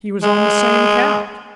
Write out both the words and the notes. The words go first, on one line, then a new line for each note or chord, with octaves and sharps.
He was on the same couch.
G#3